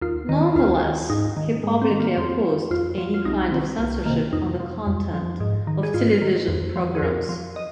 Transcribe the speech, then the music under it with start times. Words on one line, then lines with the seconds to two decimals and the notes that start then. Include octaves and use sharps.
Nonetheless, he publicly opposed any kind of censorship on the content of television programs.
0.01 D#2 F4
0.29 D#3
0.56 D#2 F4
0.83 D#3
1.10 G#2 D#4
1.37 D#3
1.64 G#2 G#3
1.82 C4
1.90 D#3
2.00 A#3
2.17 F2 C4
2.44 F3
2.71 F2 F4
2.98 F3
3.14 F4
3.25 C2 D#4
3.52 D#3 C4
3.56 C3
3.79 C2 A#3
4.05 D#3 A#3
4.10 C3
4.32 F2 D#4
4.60 F3
4.87 F2
5.14 F3
5.40 G#2
5.67 D#3
5.83 G#4
5.94 G#2 F4
6.22 D#3
6.48 F2
6.76 F3
6.95 G#4
7.02 F2 A#4
7.29 F3
7.56 D#5